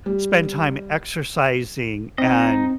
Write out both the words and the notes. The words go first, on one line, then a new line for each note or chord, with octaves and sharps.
spend time exercising and,
G3
C4 D#4 D#5